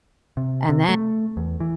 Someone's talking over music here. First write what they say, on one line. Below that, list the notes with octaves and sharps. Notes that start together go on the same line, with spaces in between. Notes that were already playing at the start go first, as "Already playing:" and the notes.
and then
C3
C3
A3
E2
E3